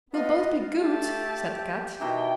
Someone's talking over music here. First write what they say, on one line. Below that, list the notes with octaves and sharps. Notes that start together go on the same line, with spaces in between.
"We'll both be good," said Kat.
B3 F4 D#5
A3 G4 A5
B2 D#3 E3 G5